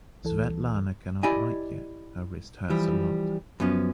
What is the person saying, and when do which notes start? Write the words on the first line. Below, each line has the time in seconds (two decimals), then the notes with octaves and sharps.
Svetlana cannot write yet; her wrist hurts a lot.
0.24 C#2 E3 A4
1.23 E4 G4 D5 D#5 G#5
2.70 E3 F3 G3
3.60 F#2 F3 B3 C#4